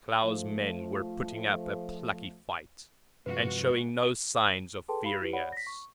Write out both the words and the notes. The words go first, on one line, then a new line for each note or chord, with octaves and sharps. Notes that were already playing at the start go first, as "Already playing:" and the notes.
Klow's men were putting up a plucky fight, and showing no signs of fearing us.
F3 A3
G2 C3 F3 G#3 F4 F#4 B4
G#4 A4 B4 G5 A5 C6
G4 F5 B5
E4 G4 B4
C#5 D5 F#5 B5
A#6 B6
C#6